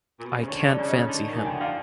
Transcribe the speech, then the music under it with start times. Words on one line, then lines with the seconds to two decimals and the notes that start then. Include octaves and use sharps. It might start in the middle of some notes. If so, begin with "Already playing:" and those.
I can’t fancy him.
0.19 A#2
0.25 B2
0.33 C3
0.41 C#3
0.48 D3 C#5
0.60 C#5
0.68 D5
0.78 C#3
0.88 D#5
1.08 D3
1.29 D#3
1.37 G#5
1.45 G5
1.49 D3
1.54 F#5
1.60 D3 F5